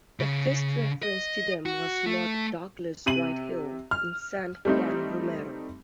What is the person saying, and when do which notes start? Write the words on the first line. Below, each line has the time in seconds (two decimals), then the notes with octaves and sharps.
The first reference to them was Lord Douglas Whitehill in "San Juan Romero".
0.20 C#3
1.03 D#5
1.66 F#4
2.06 A3
3.06 C3 D#7 F#7
3.91 F6
4.65 G3 A3 C4 D#4